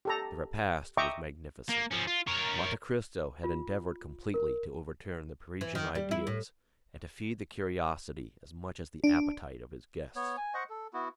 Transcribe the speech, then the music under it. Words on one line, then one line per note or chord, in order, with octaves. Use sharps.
The repast was magnificent; Monte Cristo had endeavored completely to overturn the Parisian ideas, and to feed the curiosity as much as the appetite of his guests.
G4 A4 A#5
D#5 E5 G5 A#5 C#6 D6
A#3
F3 C#4
F4
A#4 C#5
F4
A#4
E3
D#3
G3
E4
A2
D4
B3 C#5
G#5
C5 D#5 F#5 C#6
A4
B3 E4 F#4